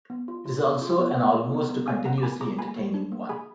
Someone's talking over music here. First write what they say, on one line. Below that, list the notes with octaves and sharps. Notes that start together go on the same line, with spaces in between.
It is also an almost continuously entertaining one.
B3
F4
F4
B3
F4
B3
B3 B4
G#4
B3
B3
B3 F5 G#5
B3 F#5 A#5
D6
B3 G#5 B5
G#4 A#5 D6
A#3 G#5 B5
A#3
D4
A#3
G#4 G#5 B5